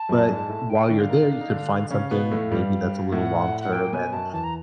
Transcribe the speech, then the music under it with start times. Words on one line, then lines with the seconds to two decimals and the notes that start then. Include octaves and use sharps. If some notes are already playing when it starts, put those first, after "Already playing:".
but while you're there, you can find something maybe that's a little long term, and
Already playing: A5
0.09 F#2 F#3
0.29 G#2 G#3
0.49 A2 A3
0.70 G5
0.90 D3 D4
1.00 F5
1.09 D#3 D#4
1.31 D4
1.41 D#4
1.51 D3 D4
1.90 C#3 C#4 F5
2.11 B2 B3
2.31 A2 A3
2.51 G2 G3
3.12 A2 A3 F#5
3.61 F#5
3.73 A#2 A#3 G5
3.92 B2 B3 G#5
4.13 F#2 F#3 A5
4.33 E2 E3 A5
4.44 A#5